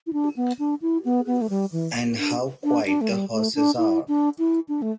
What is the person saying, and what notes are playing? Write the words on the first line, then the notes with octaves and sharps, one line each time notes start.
And how quiet the horses are!
E4
D4
B3
D4
E4
B3
B3
A3
G3
E3
D4
D4
D4
A3
G3
A3
D4
E4
D4
E4
D4
A3